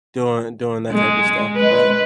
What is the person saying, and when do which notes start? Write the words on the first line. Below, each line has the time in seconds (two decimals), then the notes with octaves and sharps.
doing doing that type of stuff, but
0.92 G#3
1.56 G#3 B4